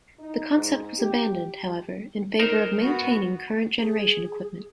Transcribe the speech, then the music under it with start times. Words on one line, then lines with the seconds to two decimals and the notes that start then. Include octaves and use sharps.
The concept was abandoned, however, in favor of maintaining current-generation equipment.
0.19 D#4
0.54 G#2
0.99 G4
2.39 D#4 A#4 C5
2.80 B3 F#4
3.80 G#4